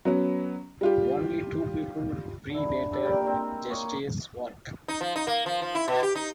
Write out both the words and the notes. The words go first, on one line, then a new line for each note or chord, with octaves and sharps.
Only two people pre-dated Jesty's work.
F#3 B3 C#4
G3 F4 G4
D3 E4
G2 A4 B5
A#2 A#4 G5
G#3 C4
A#3 C#5 D#5
D#4
F3
D#4
A#3
F3
F3
E4
B2
G4
D#4